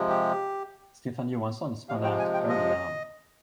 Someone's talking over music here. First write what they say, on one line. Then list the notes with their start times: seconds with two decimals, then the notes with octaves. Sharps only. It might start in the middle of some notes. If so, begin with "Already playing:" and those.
Stefan Johansson spun out early on.
Already playing: C3 F3 G#3
0.09 G4
1.89 C3 F3 G#3 F5
2.04 G5
2.19 G#5
2.34 G5
2.49 D#5